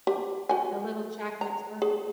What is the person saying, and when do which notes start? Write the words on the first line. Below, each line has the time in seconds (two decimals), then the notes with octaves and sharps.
The little chocolate turtles?
0.07 G4
0.49 F#4 G#5
1.41 A#5
1.82 G#4